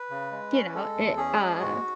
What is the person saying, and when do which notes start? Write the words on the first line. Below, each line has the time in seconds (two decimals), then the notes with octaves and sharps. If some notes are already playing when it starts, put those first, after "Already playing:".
you know, it uh,
Already playing: B4
0.10 C#3
0.32 G#3
0.52 C#4
0.66 B4
0.74 G#3 A4
0.96 E2
1.17 C#4 G#4
1.39 G#3
1.61 G#2 F#4